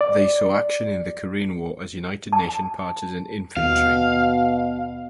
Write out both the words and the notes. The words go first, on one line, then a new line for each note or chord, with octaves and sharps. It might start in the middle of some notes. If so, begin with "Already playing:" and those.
They saw action in the Korean War As United Nation Partisan Infantry.
D5
A5
D#2 B2 F5